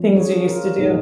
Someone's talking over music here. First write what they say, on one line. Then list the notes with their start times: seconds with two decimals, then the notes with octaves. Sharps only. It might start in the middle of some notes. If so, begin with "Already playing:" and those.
things you used to do.
Already playing: F3 C#4
0.16 G#4 C#5
0.47 F4 A#4
0.78 D#4 G#4